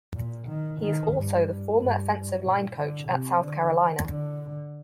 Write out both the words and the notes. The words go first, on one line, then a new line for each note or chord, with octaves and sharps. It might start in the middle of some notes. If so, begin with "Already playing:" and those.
He is also the former offensive line coach at South Carolina.
A#2
D#3
D#3
G2
G2
A#2
D3
C3
D3
D3